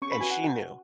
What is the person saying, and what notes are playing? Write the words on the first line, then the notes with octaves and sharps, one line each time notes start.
and she knew.
C#4 C#6
B5
F#4 B4 G#5
F#5